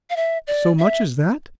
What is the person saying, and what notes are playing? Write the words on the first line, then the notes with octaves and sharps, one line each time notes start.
"So much as that?"
F5
E5
D5
E5